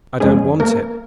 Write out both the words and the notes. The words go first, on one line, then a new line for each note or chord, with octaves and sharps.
I don't want it.
F2 C#3 G#3 C#4 G#4
A#3 A#4